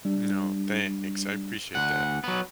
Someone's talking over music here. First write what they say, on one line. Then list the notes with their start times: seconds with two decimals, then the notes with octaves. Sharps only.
No, thanks, I appreciate that.
0.05 G3 D4
1.75 D2 F#5
2.24 F#3 B3